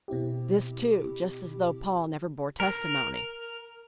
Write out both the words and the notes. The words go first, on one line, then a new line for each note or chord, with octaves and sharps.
"This, too, just as though Paul never bore testimony."
B2 C4 E4 G4
A#4